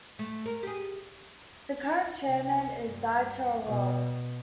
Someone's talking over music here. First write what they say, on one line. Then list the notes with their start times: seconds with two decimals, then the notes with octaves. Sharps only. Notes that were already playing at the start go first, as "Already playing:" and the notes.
The current chairman is Dieter Rolle.
0.19 A3
0.46 A#4
0.63 G4 G#4
2.25 C3
2.90 G2
3.65 B2